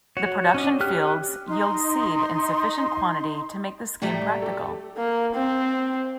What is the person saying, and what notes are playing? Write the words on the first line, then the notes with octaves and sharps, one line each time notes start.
The production fields yield seed in sufficient quantity to make the scheme practical.
F#4 C#5
C#4 D4 D#5
G4 G5 F6 F#6
D#4 C6
A2 F#3 G3 A3
G4 A4
A#3
C4